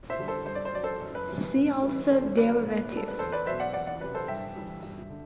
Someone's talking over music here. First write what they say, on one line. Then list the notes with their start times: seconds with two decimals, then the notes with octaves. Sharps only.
See also Derivatives.
0.10 C5 E5
0.19 D3 G3
0.28 A4 C5
0.46 G2 C5
0.55 D5
0.65 C5
0.73 F#3 D5
0.84 A4 C5
1.01 F#2
1.15 B4
1.29 E3 G3
1.42 B4
1.56 A2
1.83 E3 G3 B4
2.10 E2 A4 C5
2.37 D3 F#3 B4 D5
2.64 A2
2.92 G3 A4
3.08 B4
3.19 E2 A4 C5
3.32 B4 D5
3.46 B2 F#3 C5 E5
3.60 D5 F#5
3.73 E2 D5 F#5
3.87 D5 F#5
4.01 C3 F#3 B4
4.15 A4 C5
4.28 G2 E5 G5
4.56 E3 G3
4.83 G2
5.10 D3